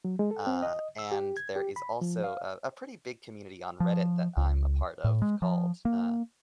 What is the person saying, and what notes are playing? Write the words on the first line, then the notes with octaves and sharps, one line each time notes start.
uh, and there is also a a pretty big community on Reddit that I'm a part of called, uh,
F#3
G#3
A4
C4
D#5
E6
G4
G#6
G4
B5
F3
F5
F3
C#2
A2
G#3
F3
A#3